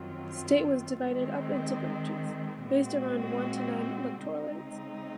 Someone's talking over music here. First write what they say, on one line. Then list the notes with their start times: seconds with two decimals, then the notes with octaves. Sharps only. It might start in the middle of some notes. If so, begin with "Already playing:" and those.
The state was divided up into branches, based around one to nine electorates.
Already playing: F#2 D#3 F#3 C4 F4
1.06 D#3 G#3 C4
2.65 A#2 G#3 C4 F#4
4.25 C#3 G#3 C4 D#4